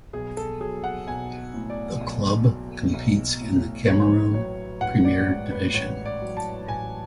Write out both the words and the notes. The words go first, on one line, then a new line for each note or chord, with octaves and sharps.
The club competes in the Cameroon Premiere Division.
B1 G#4
A4
F#3 G#4
F#5
B1 G#5
A2
D5
B1
F#3
B1
A2
A1 C#5
F#3 C#5
A1 F#5
D5
G#2
B4
A1 C#5
D5
F#3
A5
A1 G#5